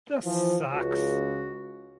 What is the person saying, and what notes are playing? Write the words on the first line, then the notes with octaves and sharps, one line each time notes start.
This sucks.
E3 F3
C#2 F#4